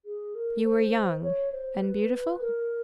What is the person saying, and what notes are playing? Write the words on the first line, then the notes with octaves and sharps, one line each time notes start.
"You were young, and beautiful?..."
G#4
A#4
C5
C#5
C5
B4
A#4